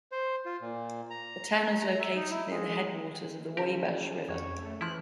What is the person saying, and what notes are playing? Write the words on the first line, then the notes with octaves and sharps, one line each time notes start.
The town is located near the headwaters of the Wabash River.
C5
F4
A#2
A#5
A#5
E5
D#4
E4
G#3
C#3 E4 G4 A#4 C6
B4
F2 C#5
A3
E3 F3 E4 F#6